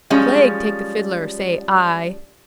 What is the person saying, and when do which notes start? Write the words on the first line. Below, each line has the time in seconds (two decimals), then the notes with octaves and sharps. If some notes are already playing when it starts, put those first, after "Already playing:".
Plague take the Fiddler! say I.
0.10 F3 G3 G#3 C#4